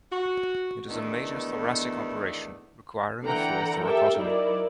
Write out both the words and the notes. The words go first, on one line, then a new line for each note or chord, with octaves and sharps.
It is a major thoracic operation requiring a full thoracotomy.
F#4
E2 D#3 A3 B3 D4
D3 E3 A4 F#5 G5 A#5
G4 A4 A#4 E5 G5
F#3 D#4 E4 A#4 D5